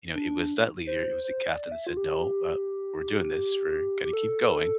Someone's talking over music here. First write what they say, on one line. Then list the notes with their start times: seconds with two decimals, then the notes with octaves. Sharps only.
you know, it was that leader, it was the captain that said, "No, uh, we're doing this, we're gonna keep going,”
0.15 D4
0.87 C5
1.24 C5
1.48 D5
1.72 E5
1.87 F4
1.97 G4
4.04 G4
4.13 A4